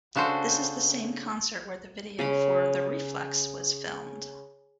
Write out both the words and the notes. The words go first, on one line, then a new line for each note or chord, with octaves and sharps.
This is the same concert where the video for "The Reflex" was filmed.
C#3 D4 F#4 A4 C5
C#3 C#4 B5